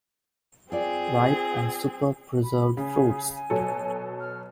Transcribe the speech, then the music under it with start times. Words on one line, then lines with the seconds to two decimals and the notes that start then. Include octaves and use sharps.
Ripe and super preserved fruits.
0.72 C4 F4 G#4 D5
2.43 B5
2.77 C#3 G#4
3.35 G#5
3.50 B2 F#3 A4
4.20 F6